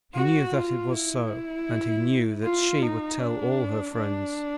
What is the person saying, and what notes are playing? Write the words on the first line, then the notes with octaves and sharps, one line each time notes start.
He knew that it was so, and he knew that she would tell all her friends.
F#4
F4
E4
F4
D#4
D4
D4